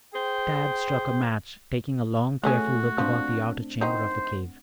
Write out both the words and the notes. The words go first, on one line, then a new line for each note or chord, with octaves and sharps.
Tad struck a match, taking a long, careful look about the outer chamber of the cave.
G#4 C5 G5
E3 A3 C#4 F#4 G#4
F3 C4 D4
D#3 D#4 C5 F#5